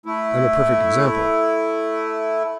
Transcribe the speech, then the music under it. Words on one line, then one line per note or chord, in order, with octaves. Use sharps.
I'm a perfect example.
A3 E4